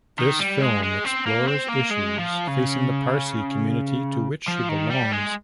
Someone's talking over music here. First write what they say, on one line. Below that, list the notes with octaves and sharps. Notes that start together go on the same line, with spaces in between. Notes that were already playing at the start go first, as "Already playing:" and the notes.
This film explores issues facing the Parsi community to which she belongs.
D#3
G3
G#3
G#3
C4
A#3
C4
A#3
G#3
F3
C#3
F3
D#3
G3
G#3